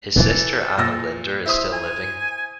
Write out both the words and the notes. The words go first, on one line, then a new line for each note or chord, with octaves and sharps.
His sister Anna Linder is still living.
E3 A4
A#2 E6 A#6
E4 C5 E5 D#6
G#5